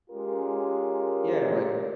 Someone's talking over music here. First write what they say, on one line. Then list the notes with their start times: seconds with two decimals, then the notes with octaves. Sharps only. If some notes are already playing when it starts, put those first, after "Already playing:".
Yeah, like
0.10 G#3 C#4 F4 G4 A#4